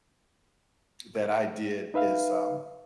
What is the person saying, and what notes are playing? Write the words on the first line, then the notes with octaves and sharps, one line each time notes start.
that I did is, um,
D#4 B4 E5 F5